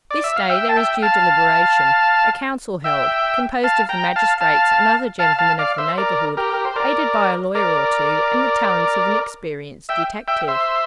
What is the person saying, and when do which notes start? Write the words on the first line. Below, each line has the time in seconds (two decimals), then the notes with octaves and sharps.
This day there is due deliberation; a council held, composed of the magistrates and other gentlemen of the neighbourhood, aided by a lawyer or two, and the talents of an experienced detective.
0.11 D5
0.24 E5
0.36 F5
0.49 E5 G5
0.69 A5
0.76 E5 G5
1.02 F5 A5
2.84 E5 G5
3.64 F5 A5
3.89 G5 A#5
4.16 F5 A5
4.41 F5 A5
5.19 F5 A5
5.39 F5 A5
5.59 D5 F5
5.78 C5 E5
5.98 A#4 D5
6.37 G4 A#4
6.53 A#4
6.65 C5
6.76 A#4 D5
7.55 A#4 D5
9.89 E5 G5
10.28 E5 G5
10.48 C5 E5